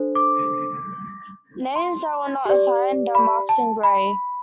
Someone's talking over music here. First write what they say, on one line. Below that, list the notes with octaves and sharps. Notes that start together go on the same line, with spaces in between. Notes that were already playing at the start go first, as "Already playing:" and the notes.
Names that were not assigned are marked in gray.
Already playing: D4 A4 C5
D6
C6
G4 D5
B5
A5
B5